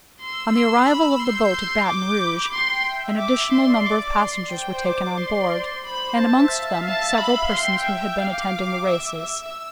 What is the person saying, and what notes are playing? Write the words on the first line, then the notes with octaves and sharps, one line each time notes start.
On the arrival of the boat at Baton Rouge, an additional number of passengers were taken on board; and, amongst them, several persons who had been attending the races.
C6 E6
C6 E6
B5 E6
C6 G6
C6
D6 G6
B5
G5 C6
E5
D6
D5 C6
D6
C6
C5 G5
D5 D6
D5 C6
C5
C5 B5
E5 A5
F5
E5 A5
F5 B5
G5 C6
E5
F5 D6
E5
E5 E6